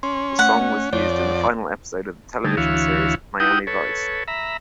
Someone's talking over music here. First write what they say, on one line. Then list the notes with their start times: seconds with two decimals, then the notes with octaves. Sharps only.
The song was used in the final episode of the television series "Miami Vice".
0.03 C#4 C6
0.39 A3 F#5
0.93 F2 C#5 D5
2.45 D3 G3 A3 D#4 G#4
2.57 D2 E3 E4 F#4 C#5 F5
3.40 D#4 E4 G4 F#5 G5 D#6
3.67 A4 B4 C#5
4.28 E5 A#5 B5